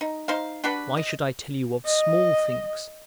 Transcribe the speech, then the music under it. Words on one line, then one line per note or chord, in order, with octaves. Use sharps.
Why should I tell you of small things?
D#4
D#4 C5 F5
D4 F#4 G4 B4
D#5
D#5